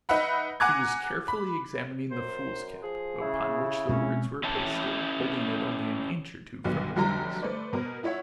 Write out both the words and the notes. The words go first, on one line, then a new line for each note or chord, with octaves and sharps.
He was carefully examining the foolscap, upon which the words were pasted, holding it only an inch or two from his eyes.
D#4 B4 E5 F#5 B5
F#5 G#5 A#5 D6 F#6 G#6
B5
F#2 C5
F3 G#4
C#3 E4
B2 G#3 C4 C#4
C#4 E4 G4 A4 A5
B1 D3 D#3 F#3 G3 B3
F1 D3 F#3 G3 A5 A#5
A3 B4 C5 D5
B2 B3 A#4
E4 F4 C#5 E5 F#5